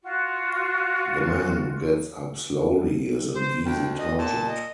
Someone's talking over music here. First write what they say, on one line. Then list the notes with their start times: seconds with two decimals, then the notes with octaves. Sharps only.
The man who gets up slowly is an easy target.
0.02 F4 F#4
3.34 C5
3.65 D2 G5
3.97 D#5
4.18 A#2 A5
4.47 D#5